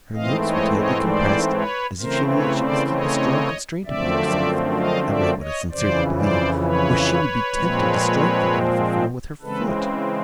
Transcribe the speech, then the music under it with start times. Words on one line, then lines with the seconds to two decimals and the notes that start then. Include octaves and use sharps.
Her lips were tightly compressed, as if she knew that she must keep a strong constraint upon herself--I write what I sincerely believe--or she would be tempted to strike the beautiful form with her foot.
0.15 G#2 E3 A3 C4 D#5 F5
0.45 C#5 D#5
0.76 C#5 D#5
1.07 C5 D5
1.54 B4 C#5
2.00 C#3 E3 A3 C4 A#4 C5
2.30 B4 C#5
2.61 C5 D5
2.92 C#5 D#5
3.85 F#2 D3 F3 A3 C4 D5 E5
4.78 D#5 F5
5.08 D5 E5
5.39 C#5 D#5
5.71 F2 C#3 E3 C5 D5
6.17 C5 D5
6.63 B4 C#5
7.56 A#2 F3 G#3 C4
9.41 C#3 E3 G#3 C4 A4 B4